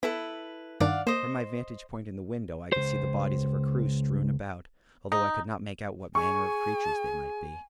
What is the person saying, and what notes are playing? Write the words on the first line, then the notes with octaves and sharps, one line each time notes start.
From my vantage point in the window I could see the bodies of her crew strewn about, although I could not make out what manner of creatures they might be.
B3 E4 A4 B4
G2 D#3 D4 D5 F5 F#5
A#3 C5 D#5
C#2 C5
D#4
G#4 G#5 C#6